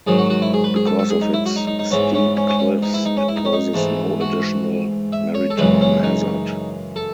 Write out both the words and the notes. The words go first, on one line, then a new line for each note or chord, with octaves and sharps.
Because of its steep cliffs, it poses no additional maritime hazard.
G#2 D#3 F#3 G#4
F#4
F#4
E4
G#4
B4
G#4
A4
A4
G#4
D#4
E4
F#4
D#4
D#4
D#4
G#2 E3 B3 C#4
C#4
C#4
C#4
C#4
D#4
E4
D#4
C#4
E4
D#4
C#4
D#4
G#2 E3 A3
F#4
E5
C#5
A4
F#2 C#3 E3 G#3 B4
C#4
D#4
A4